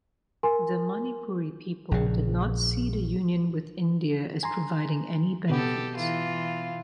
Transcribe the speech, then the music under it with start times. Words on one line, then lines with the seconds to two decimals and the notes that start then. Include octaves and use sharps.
The Manipuri people did not see the union with India as providing any benefits.
0.43 A#4 G#5 C6
1.91 A#1 C#3
4.43 G#5 A#5 C6
5.50 B2 B3 G4 A4
5.98 E3 F4